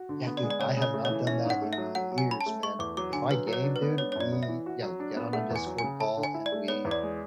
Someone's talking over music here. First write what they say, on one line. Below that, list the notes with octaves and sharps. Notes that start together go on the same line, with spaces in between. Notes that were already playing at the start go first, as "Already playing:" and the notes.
yeah, dude, I have not done that in years, man. If I game, dude, we yeah get on a Discord call and we
Already playing: F#4
D3
B3
D5
G#3
D5
C#3 C#5
C#3 C#5
A3
C#5
E3
C#4 E5
G#2
F#5
A3
E5
F#3
F#3 F#5
F#3
G#5
C#4 B5
A5
A3
A3 C#6
E2 D6
F#3 D6
D3 G#5
F#3 B4
F#3
C#5
D4
B4
B3
D4 C#5
C#5
F#2 D5
B3
E5
E3
F#4
F#3
D4
B3
A3 F#5
E2 G#5
F#3
G#5
C#3
A4 A5
D3
G#5
E4
D5
A3
B3 C#5
E2
D5
G#3